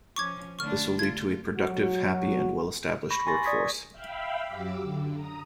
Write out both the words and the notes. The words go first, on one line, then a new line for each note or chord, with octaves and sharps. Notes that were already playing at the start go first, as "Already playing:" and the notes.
This will lead to a productive, happy, and well established work force.
F3 C#4 C#6 D6 G#6
D3 A3 D4 C#6 F6
F4 G#6 A6
F#3 F#4
B5 C#6 A#6
G#5 C6 C#6 A6 A#6
D5 C#6 D#6 G#6 A#6 B6
E5 F5 G5 B5
F#2 F#3 G4 D6 E6
D3
A#5 D#6